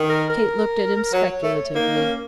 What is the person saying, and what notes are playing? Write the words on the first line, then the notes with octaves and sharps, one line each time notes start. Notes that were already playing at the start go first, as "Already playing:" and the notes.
Kate looked at him speculatively.
Already playing: D#3
A#4
A#4
F#3 C#5
A3
A#3 D#4
C#4